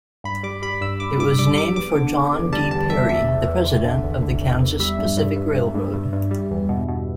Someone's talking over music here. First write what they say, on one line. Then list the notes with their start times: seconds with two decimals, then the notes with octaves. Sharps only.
It was named for John D. Perry, the President of the Kansas Pacific Railroad.
0.24 G2 B5
0.43 G3 D6
0.62 G3 B5
0.81 G2 E6
1.00 G2 D6
1.20 G2 D6
1.39 G3 D6
1.57 G3 D6
1.76 E2 D6
1.95 D3
2.15 D3
2.33 E2
2.53 G3 A5
2.71 E2 A5
2.90 E2 E5
3.09 E2 E5
3.28 E2
3.47 E2
3.66 E2
3.85 D3
4.03 E2
4.23 D3
4.42 E2
4.61 E2
4.79 G3 E5
4.99 G2
5.17 G2
5.36 G2
5.55 G2
5.75 G2
5.94 G2
6.13 G2
6.31 G3
6.51 E2
6.69 B2
6.88 B2